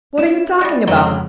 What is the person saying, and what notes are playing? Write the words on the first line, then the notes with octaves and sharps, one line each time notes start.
What are you talking about?
C#4 E4 F#4 E7
G3 G#3
F2 G#2 C#3 F#3 C4